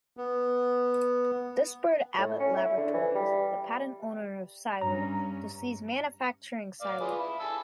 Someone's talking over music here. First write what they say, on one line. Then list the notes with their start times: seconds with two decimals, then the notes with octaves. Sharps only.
This spurred Abbott Laboratories, the patent owner of Cylert, to cease manufacturing Cylert.
0.17 B3
2.18 A2
2.40 C#4
2.57 E4
2.78 D3
2.93 E3
3.15 G3
4.81 G2 C#4 A#5
6.81 D5 F5
7.00 F4 G#4 B4
7.19 E4 B5
7.40 G#5 A5 E6